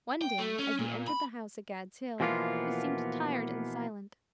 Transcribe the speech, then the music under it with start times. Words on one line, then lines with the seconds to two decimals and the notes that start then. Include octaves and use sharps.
One day as he entered the house at Gad's Hill, he seemed tired and silent.
0.22 G5
0.39 A3
0.59 C#4
0.79 A#2
1.07 B5
2.20 B2 E3 F3 A#3 B3 F4